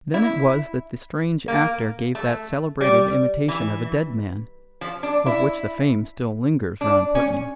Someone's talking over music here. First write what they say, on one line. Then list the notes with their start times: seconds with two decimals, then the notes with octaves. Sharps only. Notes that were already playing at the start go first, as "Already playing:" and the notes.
Then it was that the strange actor gave that celebrated imitation of a dead man, of which the fame still lingers round Putney.
0.14 E4
1.48 A#3
2.15 A3
2.81 G3
3.48 E3
4.81 F3
5.03 D4
5.26 E4
6.81 D4
7.15 C#4